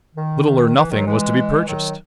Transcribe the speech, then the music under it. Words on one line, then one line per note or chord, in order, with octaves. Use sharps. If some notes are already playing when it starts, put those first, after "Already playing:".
Little or nothing was to be purchased.
D#3
E3
D#3 F#3
E3 G#3
E3
D#3 F#3